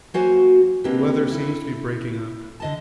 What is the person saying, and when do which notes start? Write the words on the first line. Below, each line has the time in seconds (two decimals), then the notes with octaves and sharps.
The weather seems to be breaking up.
0.14 F#3 A#3 F#4 C5 F5 G#5
0.84 A#3 C4 D4 D#4 G4 B4
1.31 E4 A4
2.60 D3 D#5 A5